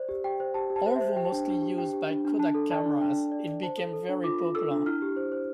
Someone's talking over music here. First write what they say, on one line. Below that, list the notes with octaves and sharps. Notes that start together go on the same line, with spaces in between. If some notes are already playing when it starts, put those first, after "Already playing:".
Although mostly used by Kodak cameras, it became very popular.
Already playing: C5 D5
G4
G4 G5
C5
G4 A5
G4
A5
C5
E5
C5
G4 G5
A5
D4 G5
D4
G4
G4 G5
G4
D4
D4
D4 A5
A4
D5 A5
D4
D4 G5
D4
D5
D5
C5 A5
A4
A4
D4
F4 D6
F4
A4 E6
D4
E4 F6
G4
C5
C5